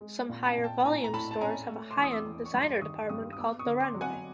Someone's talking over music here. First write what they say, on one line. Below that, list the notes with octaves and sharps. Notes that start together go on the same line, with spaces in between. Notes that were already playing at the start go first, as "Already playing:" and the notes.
Some higher-volume stores have a high-end designer department called The Runway.
G#3
A#2
G5 A5
A#2
G5 A5
A2 G#5 A#5
A#5
A2 A5 B5
A5
C#4 G#5 A#5
A3
C6 D6
E2
D#6
D6 E6
E2
C#6
G2 C6 D6
D#3 C#6 D#6
G2 C#6 D#6
D#6
B3 D6 E6
C#6 D#6
D3
C6 D6
F#3
F#5 G#5